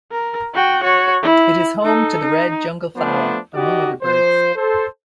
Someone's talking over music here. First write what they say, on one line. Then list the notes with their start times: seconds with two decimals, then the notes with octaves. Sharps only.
It is home to the red jungle fowl among other birds.
0.12 A#4
0.54 F#4 G5
0.84 F#4 C#5
1.23 E4
1.83 D#4 A4
2.21 D#4
2.96 F3 A3 B3 D4 C5
3.55 D#4 F#4 G4 D5 D#5
4.03 F3 C5
4.56 A4 C5